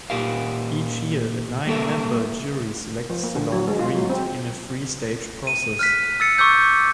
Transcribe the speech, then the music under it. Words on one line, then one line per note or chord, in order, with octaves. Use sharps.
Each year, a nine-member jury selects the laureate in a three-stage process.
A#2 G4 A#4 F5
G3 A#3 A4 A#4 E5
F3
A#3
D3
F#3
G#3
F4
F#3
C4
D#7
F6 F#6 B6
E6 A6 C#7
C#6 D6 E6 G6